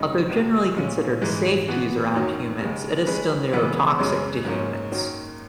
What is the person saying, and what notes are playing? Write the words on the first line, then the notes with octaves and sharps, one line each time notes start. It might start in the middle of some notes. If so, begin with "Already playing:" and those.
Although generally considered safe to use around humans, it is still neurotoxic to humans.
Already playing: F#2 C#3 G#3 D#4
C#2 B2 G#3
A#2 G#3 C#4
G#2 E3 G#3
E3 B3 F#4
F#2 D#3 F#3
D#2 C#3 G#3
G#3 C#4 G#4 B4
C#3 E3 G#3 B3
F#2 C#3 G#3 C#4
G#2 F#3 A#3 C#4
F#2 D#3 F#3 A#3